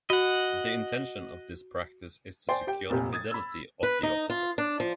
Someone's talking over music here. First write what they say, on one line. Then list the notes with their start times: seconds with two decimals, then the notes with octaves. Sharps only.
The intention of this practice is to secure the fidelity of the officers.
0.10 F#4 D#5 F#5
2.49 C5 D5 G5 G#5 C6
2.67 G4 G5
2.89 F1 A#2 C4 G4 G#5
3.13 D#6 G#6 A6
3.32 B5 E6
3.83 B4
4.03 D#4
4.30 F4
4.58 D4
4.80 F3